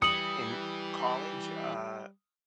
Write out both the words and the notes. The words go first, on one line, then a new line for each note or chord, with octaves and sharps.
in college, uh,
E3 G3 D#6 C#7 F#7